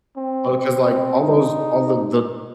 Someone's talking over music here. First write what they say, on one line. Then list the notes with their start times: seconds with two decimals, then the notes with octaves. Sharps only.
but 'cause, like, all those all the the
0.17 C4
1.23 D#4